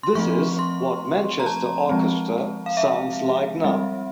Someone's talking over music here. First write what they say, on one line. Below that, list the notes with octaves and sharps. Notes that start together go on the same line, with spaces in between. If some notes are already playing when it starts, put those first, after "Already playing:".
This is what Manchester Orchestra sounds like now.
C6
F3 A3 C4 C#6
C6
A#5
A5
F3 G#3 C4
F5
E5
G3 C4